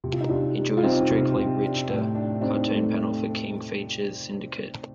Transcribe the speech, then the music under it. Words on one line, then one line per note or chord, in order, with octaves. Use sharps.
He drew his "Strictly Richter" cartoon panel for King Features Syndicate.
C3
F4
D#4
C3 D4 F4
C3
F4
G3 C4 D#4
C3
C3
D4
A2
D4
C4 D4 D#4
A3